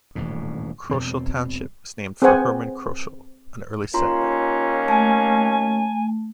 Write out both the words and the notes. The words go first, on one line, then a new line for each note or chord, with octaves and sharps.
Kroschel Township was named for Herman Kroschel, an early settler.
D#1 A1 D2 G#2
E1 B1 B2 C4
C4 G#4 B4 C5 F#5 G#5
D#2 A#3 C#4 F4 A#5 C6
A3 G#5 A5